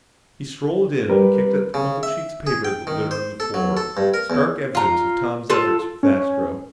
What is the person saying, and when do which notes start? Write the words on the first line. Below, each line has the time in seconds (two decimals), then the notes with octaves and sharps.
He strolled in and kicked at the crumpled sheets of paper that littered the floor, stark evidence of Tom's efforts with Astro.
1.10 G3 A#4 B4
1.74 C#3
2.03 E5
2.47 G#4
2.65 G5
2.87 D#3
3.11 C5
3.40 A4
3.54 F#3
3.77 A4
3.97 G2
4.14 A#4
4.30 E2
4.75 F4 A#5
5.50 F4 A4
6.03 C#4